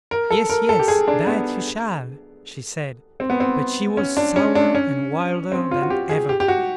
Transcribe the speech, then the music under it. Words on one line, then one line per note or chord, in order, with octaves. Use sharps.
'Yes, yes, that you shall', she said; but she was sourer and wilder than ever.
A#4
A4
A#4
A4
G4
G#4
D4
B3
C4
B3
C4
C#4
D4
C#4
D4
C#4
C4
F4
F#4
G4
G#4
G4
G4
F#4